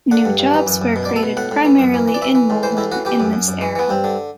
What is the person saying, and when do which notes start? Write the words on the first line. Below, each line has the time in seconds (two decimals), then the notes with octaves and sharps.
New jobs were created primarily in Moline in this era.
0.11 D3 F#5
0.25 G2
0.39 G2
0.54 E3
0.67 F#2
0.82 F#2
0.96 B2
1.05 D5
1.09 B2
1.16 A4
1.23 B2
1.37 A2 F#5
1.51 A2
1.65 E3
1.79 F#2
1.94 E3
2.08 E3
2.14 D5
2.22 E3 E5
2.35 E3
2.50 A2
2.63 E3 C5
2.77 A2 E4
2.92 E3 F#4
3.05 E3 G4
3.20 F#2
3.33 F#2
3.48 F#2
3.61 E3
3.75 E3 B3
3.89 G2 C4
4.04 D3